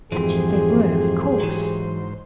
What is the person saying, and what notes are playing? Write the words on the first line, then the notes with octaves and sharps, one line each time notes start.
"Such as they were, of course."
F2 G#2 E3 A3 G4 G#4 C5
E3 F#3